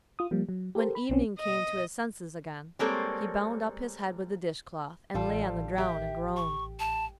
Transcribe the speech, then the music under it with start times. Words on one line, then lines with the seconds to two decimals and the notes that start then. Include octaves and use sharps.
When Evening came to his senses again, he bound up his head with a dishcloth, and lay on the ground and groaned.
0.19 F4 D#6
0.31 F3 G3 A#3
0.49 F#3
0.75 G4 A4 A#4 C5
0.95 B5
1.10 B1 C4 C#4
1.40 D#5
2.79 G3 G#3 A#3 C4 A4 C#5
5.15 A1 G3 F4 A4
5.78 G4 E5
6.36 C#6
6.79 A5